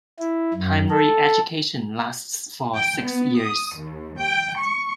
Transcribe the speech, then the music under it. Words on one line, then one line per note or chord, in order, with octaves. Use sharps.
Primary education lasts for six years.
E4
F#2
A4
G5
B3
D#6
D#2
G5
C#6